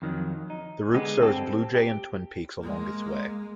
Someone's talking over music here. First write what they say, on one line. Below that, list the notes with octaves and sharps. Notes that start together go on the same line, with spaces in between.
The route serves Blue Jay and Twin Peaks along its way.
F2 D#3 F#3
D#4
D3 G#3 B3 G4
C4 G4 A4
G4
G#3 A#3